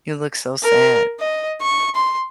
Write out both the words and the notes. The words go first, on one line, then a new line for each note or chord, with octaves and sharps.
"You look so sad.
A#4
D#5
C#6
C6